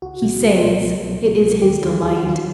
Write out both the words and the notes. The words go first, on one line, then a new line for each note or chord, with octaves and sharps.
He sings; it is his delight.
C#2 F#4
B2 F#3
C#2
B2 F#3
C#2
B2 F#3
C#2
B2 F#3
D#2 G4
D#3 F#3
D#2 G#4
F#4
D#3 F#3
F4